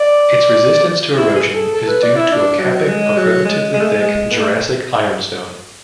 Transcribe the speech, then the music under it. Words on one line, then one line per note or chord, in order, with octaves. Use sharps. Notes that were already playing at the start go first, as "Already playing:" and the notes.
Its resistance to erosion is due to a capping of relatively thick Jurassic Ironstone.
Already playing: D5
E4
G#4
A4
A4
B4
D5
E4
D4
F#3
G#3
F#3
G#3
G#3
A3
G#3
G#3
B3
A3